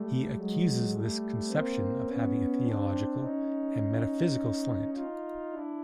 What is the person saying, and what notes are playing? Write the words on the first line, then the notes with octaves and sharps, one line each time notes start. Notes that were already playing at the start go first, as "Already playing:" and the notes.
He accuses this conception of having a theological and metaphysical slant.
Already playing: G3 A3
F#3 G#3
G3 A3
A#3 C4
B3 C#4
C4 D4
C#4 D#4
D#4 F4
D4 E4